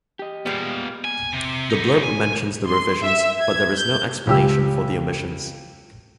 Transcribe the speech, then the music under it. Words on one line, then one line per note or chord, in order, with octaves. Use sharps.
The blurb mentions the revisions, but there is no explanation for the omissions.
G4 D#5
A#2 G3 G#3 B3 F5
G#5
C3
B3 D#4
G#5
C6
E5
G#6
G6
C#2 G4 E6